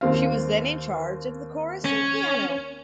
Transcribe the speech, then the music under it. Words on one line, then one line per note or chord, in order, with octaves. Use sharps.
She was then in charge of the chorus and piano.
D#2 C4 F5
C#4